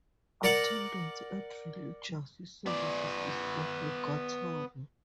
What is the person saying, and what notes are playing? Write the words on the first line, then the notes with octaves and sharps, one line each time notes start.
Attendance at religious services is obligatory.
A#4 D5 F#5
B3 D5